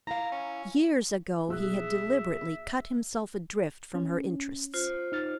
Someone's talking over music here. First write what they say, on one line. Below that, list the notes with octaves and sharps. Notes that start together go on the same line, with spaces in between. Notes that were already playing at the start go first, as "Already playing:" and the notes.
Years ago he had deliberately cut himself adrift from her interests.
E4 F5 A#5
C#4
B1 G#4 E5 E6 F#6
C#4
F4 C5
D#4 F6 A6